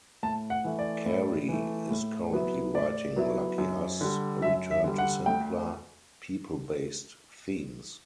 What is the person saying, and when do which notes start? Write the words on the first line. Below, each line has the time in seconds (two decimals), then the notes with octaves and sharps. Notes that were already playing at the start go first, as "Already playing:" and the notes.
Carey is currently writing 'Lucky Us', a return to simpler people-based themes.
0.23 A2 A5
0.50 F#5
0.64 E3 A3
0.79 D5
1.06 A2
1.48 E3 A3
1.91 A2
2.33 F#3 B3 E4
2.74 A2 D5
3.16 F#3 B3 E4
3.58 F#2
4.01 D3 G3
4.42 F#2 E5
4.71 E5
4.84 D3 G3
4.98 F#5
5.26 D2 G5